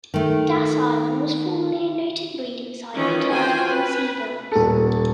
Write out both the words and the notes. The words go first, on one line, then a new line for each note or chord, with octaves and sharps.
Das Island was formerly a noted breeding site for turtles and seabirds.
D#3 A3
D#3 E3 C#4 F4
C4 F4 F#4 C5 G5 G#5
B4
D#1 A4